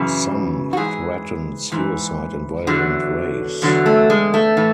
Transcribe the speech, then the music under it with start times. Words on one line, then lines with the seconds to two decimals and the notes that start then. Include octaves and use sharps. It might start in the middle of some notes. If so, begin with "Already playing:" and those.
Some threatened suicide in violent ways.
Already playing: F#2 C#3 E3
0.73 F#4
0.77 G#2 E3 G#4
1.72 G#2 E3
2.67 E2 D3 F#3
3.62 E2 D3 F#3
3.86 A3
4.10 G#3
4.34 A3
4.57 A2 E3